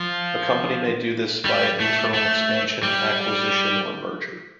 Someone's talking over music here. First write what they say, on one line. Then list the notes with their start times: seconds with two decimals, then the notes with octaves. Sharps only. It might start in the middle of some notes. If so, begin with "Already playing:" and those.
A company may do this via internal expansion, acquisition or merger.
Already playing: F3
1.45 G3
1.80 A3
2.14 A3
2.83 G3